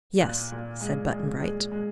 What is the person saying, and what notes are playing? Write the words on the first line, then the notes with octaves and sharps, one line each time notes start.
"Yes," said Button-Bright.
A#2 F#6
A#2
G#3
G#3
G#3
G#3